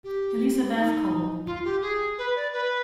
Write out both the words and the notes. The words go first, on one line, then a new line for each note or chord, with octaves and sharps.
Elizabeth Cole.
G4
D#4
F4
G4
G#4
B4
D5
B4